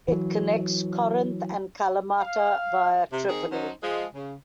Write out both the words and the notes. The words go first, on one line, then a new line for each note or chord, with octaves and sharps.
It connects Corinth and Kalamata via Tripoli.
E3 F#3
F5
C3
D#3 C4 D#4 G#4
F#3 C#4 D#4 C5
F3 G#3
C#3